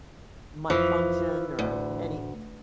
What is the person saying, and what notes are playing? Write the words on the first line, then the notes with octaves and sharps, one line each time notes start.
my function or any p
F2 E3 F3
A1 D2